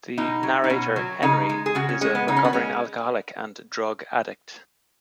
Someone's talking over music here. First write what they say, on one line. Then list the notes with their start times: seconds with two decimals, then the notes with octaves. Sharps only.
The narrator, Henry, is a recovering alcoholic and drug addict.
0.18 B2 D#4
0.43 F#3
0.64 D#4
0.70 B2 C#4
0.96 F#3
1.22 C#3 D#4
1.49 G#3
1.66 G#4
1.75 C#3 F#4
1.89 C#4
2.01 G#3 C#4
2.15 B3
2.28 C#3 D#4
2.36 C#4
2.44 B3
2.53 G#3 C#4